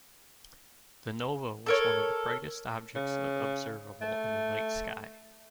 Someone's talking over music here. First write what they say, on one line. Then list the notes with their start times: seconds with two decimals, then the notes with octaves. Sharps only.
The nova was one of the brightest objects observable in the night sky.
1.66 A4 A#4 C#5
2.95 C#3
4.01 A3